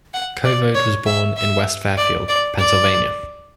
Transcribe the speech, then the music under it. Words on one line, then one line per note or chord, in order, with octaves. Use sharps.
Covode was born in West Fairfield, Pennsylvania.
F#5
D5
C#5
E5
E5
D5
D5
D5